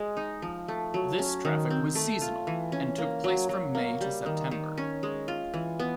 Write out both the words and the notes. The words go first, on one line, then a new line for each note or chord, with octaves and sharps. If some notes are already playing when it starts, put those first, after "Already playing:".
This traffic was seasonal, and took place from May to September.
Already playing: G#3
D#4
F3
A3
F#3
C#4
D#3
C4
A3
F4
E3
C#4
A#3
F#3
F#3
A#3
G3
D#3
D#3
C#4
G#3
F4
E3
B3